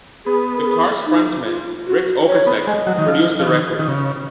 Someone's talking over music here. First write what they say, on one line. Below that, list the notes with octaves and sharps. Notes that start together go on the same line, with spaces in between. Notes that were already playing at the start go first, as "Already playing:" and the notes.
The Cars frontman Ric Ocasek produced the record.
B3 G#4
A#4
G#4
D#4
F4
F#4
C#5
B3
G#3 D#5
F#3
D#3
F3
F3
D#3
D#3
C#3